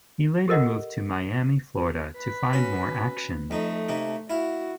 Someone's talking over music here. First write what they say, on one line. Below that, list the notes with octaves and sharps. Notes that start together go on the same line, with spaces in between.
He later moved to Miami, Florida, to find more action.
G4 A4 A#4 D#5 F#5
B4
C#4 F#4
F2 A3 D#4
C3 A#3 D#4
E4 F#4 F5